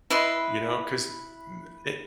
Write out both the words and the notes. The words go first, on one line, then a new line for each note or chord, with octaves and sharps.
you know, 'cause n it
E4 B4 D#5 C6